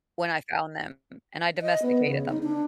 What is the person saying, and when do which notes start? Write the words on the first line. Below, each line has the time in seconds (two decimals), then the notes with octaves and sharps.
when I found them and I domesticated them.
1.62 D#5
1.82 B3
2.05 C#3
2.28 D#4
2.43 D4